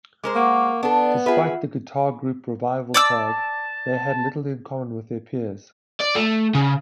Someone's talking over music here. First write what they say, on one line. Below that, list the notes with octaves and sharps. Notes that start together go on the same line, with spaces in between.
Despite the "guitar group revival" tag, they had little in common with their peers.
G#3 A#4 C5 D6
A#3 F#5 C#6 D6
B3 D4 A4 D5
F4 G#4 B4 E5 F#5
D5 A5 D6 E6
D5
A3
C#3